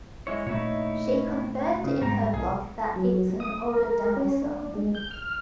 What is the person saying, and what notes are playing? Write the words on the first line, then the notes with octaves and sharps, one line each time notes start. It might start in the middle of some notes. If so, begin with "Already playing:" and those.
She confirmed in her blog that it's an older demo song.
G#3 E4 C#5
A#2 A3 D#4 E4 C#5
C#3
G#2 G3 A#5
B1 G#4
F#3
D#6
A#4
C#4
D4
G#3
G6
F6